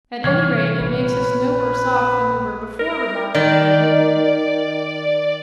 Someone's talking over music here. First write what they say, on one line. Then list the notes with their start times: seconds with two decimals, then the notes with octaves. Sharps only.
"At any rate, it makes us no worse off than we were before," remarked Mary.
0.24 C3 E3 G3 C#5 F6 G#6
0.80 A#1 B4
2.79 A#4
3.35 D#3 D5